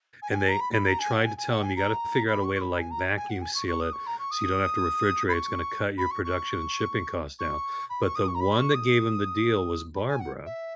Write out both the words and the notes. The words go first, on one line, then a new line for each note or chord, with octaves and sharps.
and they and they tried to tell him, "You gotta figure out a way to, like, vacuum seal it so you don't have to refrigerate. It's gonna cut your production and shipping cost down," but the one that gave him the deal was Barbara,
G#5
F#5
G#5
A#5
B5
B5
A#5
G#5
F#5
G#5
G#5
F#5
G#5
A#5
B5
C#6
C#6
B5
G#5
A#5
G#5
F#5
G#5
C#6
C#6
D#6
C#6
A#5
C#6
D#6
B5
C#6
B5
C#6
C#6
C#6
B5
C#6
D#6
C#6
A#5
B5
C#6
D#6
B5
G#5
F#5
E5